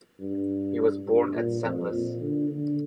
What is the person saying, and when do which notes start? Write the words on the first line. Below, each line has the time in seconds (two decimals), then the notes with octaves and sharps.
He was born at Senlis.
0.20 G2
1.06 G2
1.35 A#2
1.64 F2
1.92 A#2
2.21 D3
2.50 D3